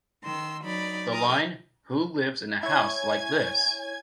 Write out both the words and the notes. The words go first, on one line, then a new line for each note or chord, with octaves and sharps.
The line Who lives in a house like this?
D#3 C6 E6
F#3 D#4 D5 B5
A#4 A#5 D#6
E4 C#5 G#5 G#6